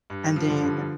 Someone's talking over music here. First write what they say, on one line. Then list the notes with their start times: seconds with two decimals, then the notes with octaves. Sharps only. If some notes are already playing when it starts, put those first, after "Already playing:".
and then
0.10 G2
0.36 F3
0.49 D3
0.63 G2